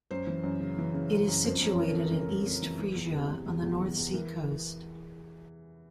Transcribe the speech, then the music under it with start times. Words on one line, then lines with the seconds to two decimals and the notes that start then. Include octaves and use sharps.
It is situated in East Frisia, on the North Sea coast.
0.11 F#2 C5
0.27 E3
0.44 F#2
0.60 C#3
0.78 E3
0.94 C#3
1.11 F#2
1.28 F#2
1.44 F2 C5
1.62 F2 C#5
1.79 E3 A#4
1.89 A4
1.95 F2
2.11 C#3 A#4
2.29 F2
2.46 F2
2.62 E3
2.79 E3
2.95 E2
3.13 C3
3.30 E2
3.46 E2
3.63 E2
3.80 E3
3.97 E2
4.13 E3 A#4